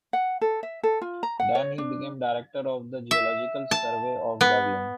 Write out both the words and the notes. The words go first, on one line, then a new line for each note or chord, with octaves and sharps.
Then he became director of the Geological Survey of Berlin.
F#5
A4
E5
A4
F4
A#5
F#5
C#5
D4
E5
A5
B3